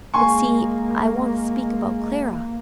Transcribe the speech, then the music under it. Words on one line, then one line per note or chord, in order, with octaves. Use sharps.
But see, I want to speak about Clara.
G#3 A#3 G#5 C6 C#6